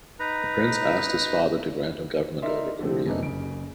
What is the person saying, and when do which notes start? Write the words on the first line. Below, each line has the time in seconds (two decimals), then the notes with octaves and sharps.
The prince asked his father to grant him government over Korea.
0.19 D#4 B4 A#5
2.42 D#4 E4 A#4 D5 E5 C6
2.79 D3 F3 A3 C4
3.06 F#2 C3 A3 B3 D4 D#4
3.23 F#1 C#3 D7